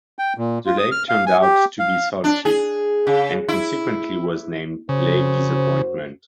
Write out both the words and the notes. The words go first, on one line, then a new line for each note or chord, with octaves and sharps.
The lake turned out to be salted, and consequently was named Lake Disappointment.
G5
A#2
F4
D#6
F6
F5
G#5
G4
F5
D4
G#4
C#3
E4
F#2 C#3 F#4 C5